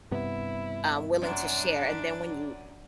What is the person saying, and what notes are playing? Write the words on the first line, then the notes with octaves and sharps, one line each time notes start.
uh, willing to share, and then when you
G2 C3 B3 E4
F#2 D4